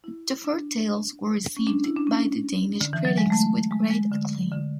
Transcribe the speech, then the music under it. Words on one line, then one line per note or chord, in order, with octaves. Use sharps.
The four tales were received by the Danish critics with great acclaim.
E4
D4
C#4
D4
E4
D4
C#4
D3
E3
F#3
G#3
A3
G#3
G#3
D3
D3